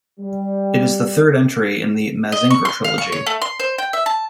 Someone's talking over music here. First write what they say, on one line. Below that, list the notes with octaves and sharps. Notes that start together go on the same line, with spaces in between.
It is the third entry in the Mazinger trilogy.
G3
D#5
C#6
C6
F5
C#6
C#5
A3
C6
C5
G5
E5
A5